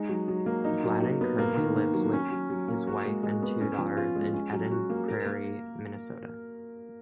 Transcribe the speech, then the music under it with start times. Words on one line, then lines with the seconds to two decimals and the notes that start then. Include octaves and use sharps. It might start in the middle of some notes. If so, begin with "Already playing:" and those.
Gladden currently lives with his wife and two daughters in Eden Prairie, Minnesota.
Already playing: G#3 D#4
0.09 F#3
0.28 F#3
0.46 A#3
0.65 D#4
0.84 F#3
1.02 F#3
1.21 B3
1.39 A#3
1.57 D#3
1.76 D#3
1.94 F#3
2.13 C#4
2.32 F#3
2.50 F#3
2.68 A#3
2.87 F#4
3.05 G#3
3.23 G#3
3.42 B3
3.61 C#4
3.78 F3
3.97 F4
4.15 G#3
4.34 C#4
4.53 F#3
4.71 F#4
4.90 A#3
5.08 A#4
5.26 A#3